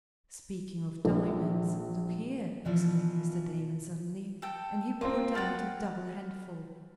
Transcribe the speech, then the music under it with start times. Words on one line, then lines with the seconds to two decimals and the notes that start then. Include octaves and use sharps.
"Speaking of diamonds, look here!" exclaimed Mr. Damon, suddenly, and he pulled out a double handful.
1.05 A#1
2.65 B2 E3 F3 D5
4.42 A4 G5
5.01 A#3 C4 F4 C5 D6
5.35 F#5 G5 F6 A6